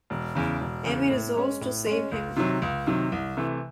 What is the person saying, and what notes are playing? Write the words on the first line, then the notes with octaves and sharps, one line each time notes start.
Amy resolves to save him.
E1
E2 C#3
E1
E2 C#3
A2
G#3 C#4
A2
G#3 C#4
C#2
C3 D#3 F#3
C#2
C3 D#3 F#3
C2
C3 E3 A3